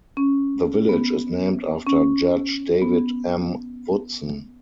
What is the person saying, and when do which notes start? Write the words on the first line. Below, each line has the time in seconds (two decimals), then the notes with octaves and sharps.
The village is named after Judge David M. Woodson.
0.17 C#4
0.89 B3
1.87 C#4
2.82 B3